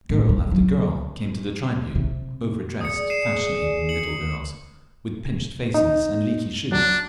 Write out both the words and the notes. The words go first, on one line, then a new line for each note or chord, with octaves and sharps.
Girl after girl came to the tribune--over-dressed, fashion-aping little girls, with pinched faces and leaky shoes.
A2
G3
F#3
C3
G#4 D5 D#6 C#7
C7 D#7 E7
C#7 F#7
D#4
F#3 D4